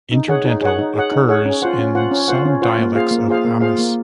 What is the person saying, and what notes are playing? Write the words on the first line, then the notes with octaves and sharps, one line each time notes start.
Interdental occurs in some dialects of Amis.
D#4
G#4 C#5 F#5
D#4
G#4 C#5 F#5
D#4
G#4 C#5 F#5
D#4
G#4 C#5 F#5
C#4
F4 C5 F#5
C#4
F4 C5 F#5
C#4
F4 C5 F#5
C#4
F4 C5 F#5
A#3
F4 G#4 C5 F5
A#3
F4 G#4 C5 F5
A#3
F4 G#4 C5 F5
A#3